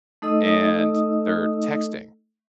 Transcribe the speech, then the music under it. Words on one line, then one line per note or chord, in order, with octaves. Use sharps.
and they're texting
A3 D#4 A4 D#5 D#6 E6